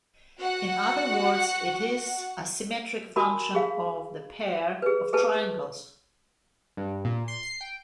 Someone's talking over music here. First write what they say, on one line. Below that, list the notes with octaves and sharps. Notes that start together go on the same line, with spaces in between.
In other words, it is a symmetric function of the pair of triangles.
F#4 F#5
D4 F#4 A#4 A5 B5
G#4 F5
G#4 B4
G#4 A4 B4 A5
G2
A#2
C6
C7
G5